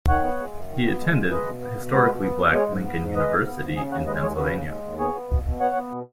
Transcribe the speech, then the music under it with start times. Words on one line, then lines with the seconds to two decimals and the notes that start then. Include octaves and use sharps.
He attended historically black Lincoln University in Pennsylvania.
0.08 D#3 C#5 F#5
0.24 B3
0.39 G#3
0.55 F#2
0.70 D#3
0.85 B3
1.01 G#3
1.16 F#2
1.31 G#3 B4 D#5
1.47 B2
1.61 B3
1.77 B2
1.92 G#3 F#4 B4
2.08 B2
2.22 B3
2.38 B2
2.53 G#3 G#4 C#5
2.69 G#2
2.84 B3
3.00 G#2
3.15 G#3 B4 D#5
3.30 G#2
3.45 B3
3.61 G#2
3.76 C#3 D#5 G#5
3.91 D#2 C#5 F#5
4.07 G#3 B4 D#5
4.22 D#2 G#4 C#5
4.37 C#3 F#4 B4
4.53 D#2
4.68 G#3
4.84 D#2
4.98 B3 G#4 C#5
5.14 B3
5.30 B2
5.45 B2
5.60 B3 C#5 F#5
5.75 B3
5.91 B2